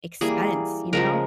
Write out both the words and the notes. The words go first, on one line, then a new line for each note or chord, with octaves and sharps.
expense, you know?
E3 G3 A#3 G#4
C#3 F3 G#3 A#4